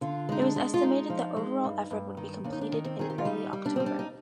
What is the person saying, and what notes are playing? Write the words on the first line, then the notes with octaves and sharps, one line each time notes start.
It was estimated the overall effort would be completed in early October.
D3 F4
G#3 D#4
D4
G#3
F4
G#3 D#4
F3
G#3
G2
G2
D#3
D#2 D4
D#4
D4
D#3
C4
D#3 G#4
G4
F4
G3 D#4
G3
D4
G3 C4
D4
D#4